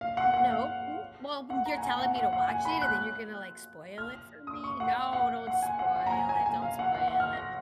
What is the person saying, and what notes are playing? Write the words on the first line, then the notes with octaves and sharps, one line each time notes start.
Nope, w well, you're telling me to watch it, and then you're gonna, like, spoil it for me. No, don't spoil it, don't spoil it.
F5
F#5
F#5
F5
F#5
A#5
G#5
F#5
F#5
F#5
F#5
G#5
B5
F#6
F6
D#6
C#6
F#5
F#5
F#5
G#5
F#5
F#5
A#5
G#5
G#5
G#5
F5
F#5
F#5
F#5
F6
A#6